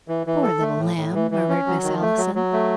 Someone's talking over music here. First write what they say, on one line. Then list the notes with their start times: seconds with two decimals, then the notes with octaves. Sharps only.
"Poor little lamb," murmured Miss Allison.
0.08 E3
0.27 E3
0.43 A4
0.61 A3
0.78 A2
0.97 A2
1.14 E3
1.31 E3
1.49 C#4
1.66 F#3
1.84 D#3
2.01 A3
2.18 F#3
2.35 F#3
2.53 A3